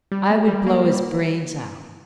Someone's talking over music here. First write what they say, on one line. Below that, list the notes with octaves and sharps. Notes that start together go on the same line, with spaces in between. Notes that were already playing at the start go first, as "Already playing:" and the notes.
'I would blow his brains out.'
G3
A#3
G3
A#3
G3